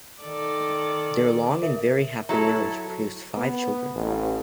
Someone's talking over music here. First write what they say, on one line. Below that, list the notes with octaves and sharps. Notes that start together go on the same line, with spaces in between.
Their long and very happy marriage produced five children.
D#3 A4 D5
A#4 E5
F#3 E4 A4 A#5
B3
A1